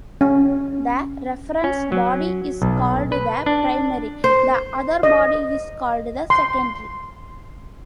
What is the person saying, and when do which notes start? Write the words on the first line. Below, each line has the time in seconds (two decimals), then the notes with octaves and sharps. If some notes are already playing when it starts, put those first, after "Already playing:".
The reference body is called the "primary", the other body is called the "secondary".
0.21 C#4
1.64 C#4
1.92 F#3
2.62 B1
3.12 B4
3.46 D4
4.24 C5
5.03 D#5
6.30 C6